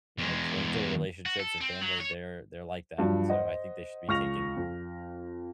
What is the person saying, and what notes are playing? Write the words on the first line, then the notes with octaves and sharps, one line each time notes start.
you know, parental relationships and family, they're they're like that, and so I think they should be taken
E2 G#3
F#4
A4
C4
F#3
C#5
G2 F3 F#3
C5 D#5 F#5
C#2 C#6 F6 A#6 F7
F2